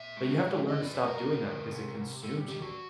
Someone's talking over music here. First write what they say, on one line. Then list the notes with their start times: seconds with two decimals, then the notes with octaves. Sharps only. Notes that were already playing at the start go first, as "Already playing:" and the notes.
But you have to learn to stop doing that because it consumes you.
Already playing: A#2 E5
0.17 G#3
0.42 F3
0.68 F#2 D#5
0.81 D5
0.93 F#2 B4
1.07 A#4
1.19 G3
1.46 D3
1.71 C3
1.97 C3
2.23 G3 A4
2.49 D#3 G4
2.62 F#4